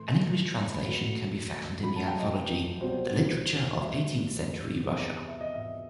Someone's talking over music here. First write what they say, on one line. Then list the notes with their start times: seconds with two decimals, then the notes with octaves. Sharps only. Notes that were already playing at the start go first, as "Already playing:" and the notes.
An English translation can be found in the anthology "The Literature of Eighteenth-Century Russia".
Already playing: A2 E3 A3 C6
0.72 B5
0.84 F#2 F#3 A3
1.83 F#2 F#3 A3 B5
1.96 A5
2.08 G5
2.19 D#5
2.81 C2 B2 F#3 C5
3.80 G2 F#3 A3 E5
4.79 E2 C3 E3
5.28 E5
5.41 D#5
5.54 E5